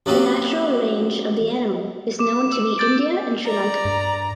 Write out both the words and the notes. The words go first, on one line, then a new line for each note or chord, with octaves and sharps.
The natural range of the animal is known to be India and Sri Lanka.
F#2 F#3 A#3 G4
D6 E7
E6
D6 G6 A6 D7
D5 A#5
G2